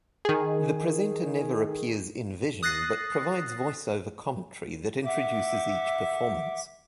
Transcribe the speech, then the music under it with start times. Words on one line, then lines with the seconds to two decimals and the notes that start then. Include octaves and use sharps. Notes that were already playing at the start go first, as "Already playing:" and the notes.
The presenter never appears in-vision, but provides voice-over commentary that introduces each performance.
0.25 D#3 G#4
2.63 D#6 F#6 A6 A#6 C7
5.04 E5 F#5 D6